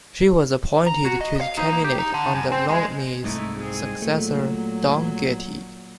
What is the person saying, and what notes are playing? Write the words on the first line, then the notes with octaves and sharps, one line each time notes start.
She was appointed to the cabinet under Lougheed's successor, Don Getty.
A#5
F#4
D#5
F5
D#4
A#3
G4
D#4
D3
F#2
C4
G#3
C2 G#2 A3 D#4 E4
G#3 C4 G#4
A#2 F#3 A3